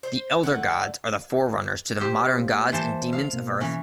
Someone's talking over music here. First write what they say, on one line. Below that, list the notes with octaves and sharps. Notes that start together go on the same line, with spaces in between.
The Elder Gods are the forerunners to the modern gods and demons of Earth.
C5
D3 A3 F#5
G4 C5
A#3
E3 C5 A5
F5
B2 A#3
E3 C#4